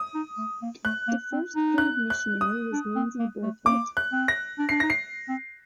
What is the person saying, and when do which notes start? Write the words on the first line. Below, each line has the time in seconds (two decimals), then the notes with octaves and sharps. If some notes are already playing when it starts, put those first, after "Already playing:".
The first paid missionary was Lindsay Burfoot.
Already playing: D#6
0.15 D#4
0.38 A3
0.62 A#3
0.85 A3 F#6
1.08 A#3
1.32 C4
1.56 D#4
1.78 F#6
2.10 F#6
2.41 D#6
2.73 D4
2.95 C4
3.19 A#3
3.43 A3
3.65 A#3 D6
3.97 F#6
4.12 C4
4.28 A#6
4.59 D4
4.69 D4 C7
4.80 D#4 A#6
4.90 C7
5.28 C4